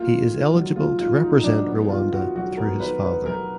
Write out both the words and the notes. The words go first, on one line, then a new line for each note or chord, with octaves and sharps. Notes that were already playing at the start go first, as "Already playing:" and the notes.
He is eligible to represent Rwanda through his father.
Already playing: A#3 F4
D#3
D#3
F#3
A#3 F4
D#3 F4
D#3 D#4
D#4
F#3 D4
B3
D#3 F4
D#3 F#4
F#3 F#4
B3 A#4
D#3 B4
D#3 B4
F#3 A#4